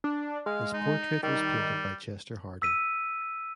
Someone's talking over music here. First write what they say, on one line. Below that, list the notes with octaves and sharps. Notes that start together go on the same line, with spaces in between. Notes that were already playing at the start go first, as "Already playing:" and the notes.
His portrait was painted by Chester Harding.
D4
G#3 F5
D#4
D#3 G3
E6 B6 D#7